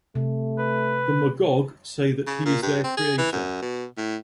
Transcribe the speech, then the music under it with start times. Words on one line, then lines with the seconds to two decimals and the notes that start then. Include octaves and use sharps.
The Magog say that he is their creator.
0.15 C3 A3
0.59 B4
2.27 C#3
2.45 A#2
2.62 G2
2.84 C4
2.97 G#4
3.18 E3
3.33 F#2
3.62 B2
3.97 A2